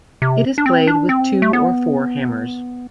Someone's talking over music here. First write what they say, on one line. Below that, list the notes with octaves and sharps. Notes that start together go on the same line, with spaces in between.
It is played with two or four hammers.
C3
D4
C4
D4
C4
A3
B3